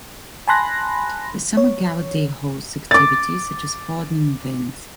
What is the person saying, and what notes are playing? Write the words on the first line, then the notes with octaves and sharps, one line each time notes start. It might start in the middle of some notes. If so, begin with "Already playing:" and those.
The summer Gala Day hosts activities such as sporting events.
G#5 A5 B5 C6 F#6 A#6
C#5
D6 A6